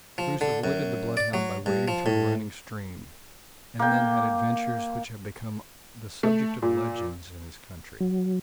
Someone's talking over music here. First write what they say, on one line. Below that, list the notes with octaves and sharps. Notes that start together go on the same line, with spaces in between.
Bruce avoided the bloodhound by wading through a running stream, and then had adventures which have become the subject of legends in his country.
F3
D3
F#2
D5
F#3
G2
F3
A2
A#3 G5
A3
A#2
F#3